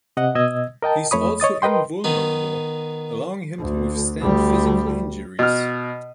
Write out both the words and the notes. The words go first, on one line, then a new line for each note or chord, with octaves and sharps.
He's also invulnerable, allowing him to withstand physical injuries.
C3 D#5 F#5
B2 D#5 D#6 E6 G#6
A#4 D#5 G5 A5
F2 A3 C#5 B5 D#6
C#5 D#5 D#6 A6
A#4 B4 D#5 G5 C6
D#3 B3 D#4
D2
D2 G3
B2 F6